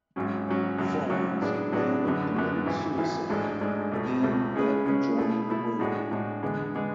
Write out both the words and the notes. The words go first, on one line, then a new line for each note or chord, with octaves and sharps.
Franz then committed suicide in an adjoining room.
G#1 G#2 F#3 C#4
G#1 G#2 F#3 C#4
G#1 F#2 C#3 F#3
G#1 F#2 C#3 F#3
A2 F#3 B3 D4 G#4
A2 F#3 B3 D4 G#4
F#2 D3 F#3 B3
F#2 D3 F#3 B3
G#1 G#2 E3
G#1 G#2 E3
A1 G#2 G#3 D4 A4
A1 G#2 G#3 D4 A4
C#2 B2 A3
C#2 B2 A3
C#3 G#3 C#4 G#4 B4
C#3 G#3 C#4 G#4 B4
B2 A3 E4
B2 A3 E4
A2 G#3 D4 F#4
A2 G#3 D4 F#4
E2 D3 G#3 B3
D3 G#3 B3